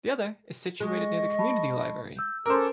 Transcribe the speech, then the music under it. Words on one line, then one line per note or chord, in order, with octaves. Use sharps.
The other is situated near the community library.
G#3 D#5 C#6
A5 B5
E6 G6
C#4 A4 A#4 C5 D6 E6